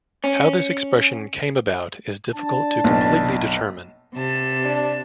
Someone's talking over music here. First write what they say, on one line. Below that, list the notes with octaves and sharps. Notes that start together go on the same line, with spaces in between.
How this expression came about is difficult to completely determine.
C#4
D4 A5
F#1 B1
C3 A5
D4